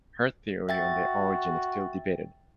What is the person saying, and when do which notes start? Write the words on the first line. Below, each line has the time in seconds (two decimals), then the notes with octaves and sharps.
Her theory on their origin is still debated.
0.69 F#4 E5 G5 A6